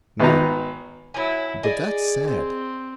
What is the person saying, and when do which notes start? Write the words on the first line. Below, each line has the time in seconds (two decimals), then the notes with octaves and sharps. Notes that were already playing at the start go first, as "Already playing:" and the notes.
ME: But that's sad.
0.20 G#1 B3 D#4 A#5
1.14 F#3 E4 G#5
1.63 G#4 D5 D#5 G#5
2.27 C4